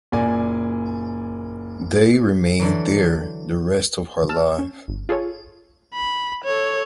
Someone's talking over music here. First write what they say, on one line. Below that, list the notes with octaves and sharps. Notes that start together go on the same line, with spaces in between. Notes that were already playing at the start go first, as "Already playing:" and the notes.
They remained there the rest of her life.
F#1 A#2 A#3 D5 G#5
D3 E3 F#3
A5 E6 F6
C#4
G1
F4 G#4 A4 C#5
B5
A4 C#5